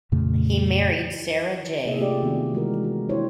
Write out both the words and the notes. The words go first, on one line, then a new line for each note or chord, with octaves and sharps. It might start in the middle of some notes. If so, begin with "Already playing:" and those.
He married Sara J.
F2 A#2 C#3 A3
C3 A#3 D#4 G#4 D#5 E5
A3 F4 G4 G#4 D5 D#5
D#3 B3 C4 F#4
E3 G#3 F#4 G#4 A#4
F#4
D4 E4 G4 C5 C#5